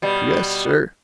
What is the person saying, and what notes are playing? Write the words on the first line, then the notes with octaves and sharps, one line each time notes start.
"Yes, sir."
B2 G3